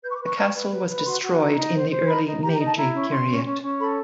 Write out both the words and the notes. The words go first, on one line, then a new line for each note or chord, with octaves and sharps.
The castle was destroyed in the early Meiji period.
B4 G6
C#6
D6
B4
C#6
B4
B4
B4
B4
B5
F#4 C6
F#4
D#4 A#5
D#4
C5
C5
D#4 B5
D#4
G4 A#5
A#5
D#4
A5
E4 A#5
C#4
C#4 C6
C#4
C#4
C#4
A4 B5